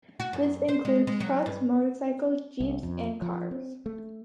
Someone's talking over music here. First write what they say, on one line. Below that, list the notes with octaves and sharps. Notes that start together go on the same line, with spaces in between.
This includes trucks, motorcycles, jeeps and cars.
F#4
F#2
C5
G#3
G#3
F#3
G2
C2
F2
F3
C4
A3